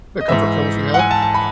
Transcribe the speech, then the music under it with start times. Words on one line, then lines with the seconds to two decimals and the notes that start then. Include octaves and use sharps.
the comfort films we had.
0.21 D#5
0.28 G#2 E3 E5
0.94 F#5
0.99 G#5
1.11 A5
1.22 A5
1.34 B5